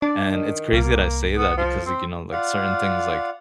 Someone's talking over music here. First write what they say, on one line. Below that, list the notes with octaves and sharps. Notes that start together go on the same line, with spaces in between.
and it's crazy that I say that because, like, you know, like, certain things, like
D4 D5
D#3
C2 A#3
B3
F3
C4
F4 D5 F5 F#5